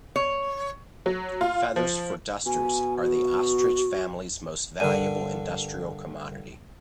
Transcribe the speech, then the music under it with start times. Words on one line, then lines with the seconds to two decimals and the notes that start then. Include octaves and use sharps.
Feathers for dusters are the ostrich families most valuable industrial commodity.
0.16 C#5
1.06 F#3
1.41 F4
1.76 F3
2.46 B2 G#5
3.02 F#4
4.80 G2 D3 A#4 D5 D#7